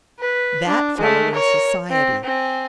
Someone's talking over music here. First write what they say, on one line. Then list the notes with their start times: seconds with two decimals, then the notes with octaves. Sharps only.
"That fellow in Society!"
0.20 B4
0.67 D4
0.97 G#3 A3
1.34 A#4 C#5
1.90 C4
2.23 C4 G#5